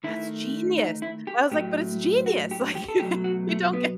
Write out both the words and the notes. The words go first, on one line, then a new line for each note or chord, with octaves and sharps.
"That's genius." I was like But, it's genius. Like, you don't get
D#3 A3 E4
D#4
E4
G4
A2 F#3 A3 G4
F#4
G4
G4
A4
B2 F#3 A3 G4
F#4
A3
B3